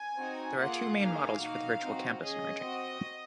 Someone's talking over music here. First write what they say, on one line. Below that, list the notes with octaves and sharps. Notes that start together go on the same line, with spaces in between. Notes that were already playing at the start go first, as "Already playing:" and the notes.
There are two main models for the virtual campus emerging.
Already playing: G#5
C4 D#4 F#4
A#3 F4 G#4 F#5
A#3 D#4 G#4 F5
A#3 D#4 F#4
C4 D#4 F#4
C#4 G#4 D#5
C4 F#4